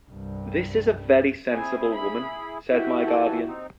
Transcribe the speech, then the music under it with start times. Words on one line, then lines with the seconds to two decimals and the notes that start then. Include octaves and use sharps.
"This is a very sensible woman," said my guardian.
0.11 C2 G2
1.53 C4 E4 G#4 G#5
1.95 B5
2.71 E4 F#4 G4 E5 G5
3.06 E3 A4 G#5
3.48 C4 D#4